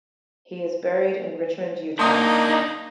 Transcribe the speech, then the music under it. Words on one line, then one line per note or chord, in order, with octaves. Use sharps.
He is buried in Richmond, Utah.
A#3 D4 D#4 D#5 C6 D#6